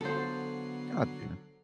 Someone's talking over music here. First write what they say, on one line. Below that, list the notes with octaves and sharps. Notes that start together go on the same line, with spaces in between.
Got you.
D3 F#3 B3 A4 C5 F5 C7